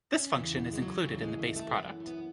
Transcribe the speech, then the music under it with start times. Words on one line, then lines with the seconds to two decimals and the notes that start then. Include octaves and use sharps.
This function is included in the base product.
0.14 C#4
0.37 E2 C#3 E3 B3
0.59 B3
0.73 G#3
0.82 F#3
1.05 D#2 C#3 E3 F#3
1.22 G#3
1.39 A3
1.56 A3
1.73 F#2 E3 B3
2.00 A3
2.07 B3